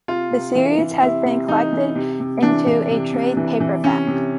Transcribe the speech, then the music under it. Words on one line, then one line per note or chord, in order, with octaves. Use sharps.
The series has been collected into a trade paperback.
C3 F4
C3
E3
E3
C3 E4
C3
E3 D#4
E3
C3
C3
E3 D4
E3
C3
C3
E3
E3
C3 C#4
C3